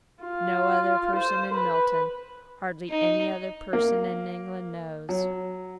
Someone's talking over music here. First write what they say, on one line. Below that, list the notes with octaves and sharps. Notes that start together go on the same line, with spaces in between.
No other person in Milton--hardly any other person in England knows.
F4
C5
B4
D#4
A#3
F#3